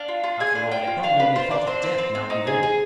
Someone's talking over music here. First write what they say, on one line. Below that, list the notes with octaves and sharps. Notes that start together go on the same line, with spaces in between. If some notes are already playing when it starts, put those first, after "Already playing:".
After all, they probably only thought of death now and then.
Already playing: D4 F5
F4
F4
G#4 G#5
D4
F4 G5
F4
D4 F5
D4 B4
F4 C5
D4 D5
C4 C5
C4
C4
C4
D#4
G#4
G#4